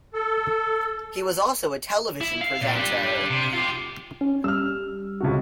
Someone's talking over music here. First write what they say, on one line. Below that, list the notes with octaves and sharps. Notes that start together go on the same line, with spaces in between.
He was also a television presenter.
A4
E4
F5
A#2
D4 G4
C3
F4 G4
C#4
G3 E6 F6
C#2 C3 F#4